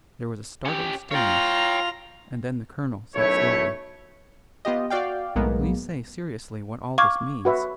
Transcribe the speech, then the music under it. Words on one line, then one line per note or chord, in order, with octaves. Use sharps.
There was a startled stillness, and then the colonel said slowly, "Please say seriously what all this means."
C#4 G4
F4 C#5 G5 A#5
B1 F#2 A3 E4 C#5
B3 F4 G4 D#5
F#4 D5 F5 G5
B1 A2 F#3 G#3 A#3 B3
F5 C#6 D6 G#6
F#4 B4 E5